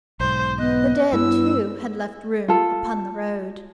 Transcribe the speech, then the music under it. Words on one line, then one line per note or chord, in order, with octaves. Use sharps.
The dead, too, had left room upon the road.
B1 G#2 C5
B3 D#5 F#6
G2 B3 E4 E6
F4 A4